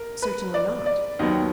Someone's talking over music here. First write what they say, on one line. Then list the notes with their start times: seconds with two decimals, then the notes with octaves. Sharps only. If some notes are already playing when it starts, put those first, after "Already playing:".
"Certainly not."
Already playing: A#4
0.22 B4
0.54 D5
0.86 D5
1.19 D#2 D#3 F#3 B3 D#5